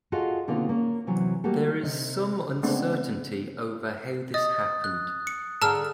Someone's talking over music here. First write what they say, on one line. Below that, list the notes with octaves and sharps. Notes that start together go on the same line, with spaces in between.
There is some uncertainty over how this happened.
F4 F#4 G#4 A4 D#5 F5
B2 D3 D#3 A#3 C4 F4
A#3 C#4
C3 E3 F#3
G3 A3 A#3 F#4 G4 A4
C3 D#5
C#3 G#3 A3 B3 C4 D4
D#5 D#6 A6
F#6
C#7
D3 G#4 A#4 A5 E6 F6